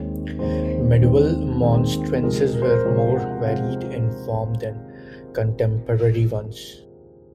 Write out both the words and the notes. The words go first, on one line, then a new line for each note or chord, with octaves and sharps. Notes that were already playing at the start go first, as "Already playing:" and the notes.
Medieval monstrances were more varied in form than contemporary ones.
Already playing: D#2 D#3 G#3 C4 C#5
D#2 D#3 G#3 C4 C5
C#5
C5
D#2 D#3 G#3 C4
D#2 D#3 G#3 C4
C3 F3 G#3 A#4
A#4
C5
A#4
C3 F3 G#3 C#5
F5
F#5
F#5
C3 F3 G#3 F5